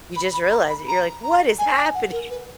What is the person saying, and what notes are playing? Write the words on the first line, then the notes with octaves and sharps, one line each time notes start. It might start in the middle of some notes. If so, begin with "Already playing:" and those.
You just realize it, you're like, "What is happening?!"
B5
B5
A#5
B5
A#5
A#5
G#5
G#5
F#5
A#4
B4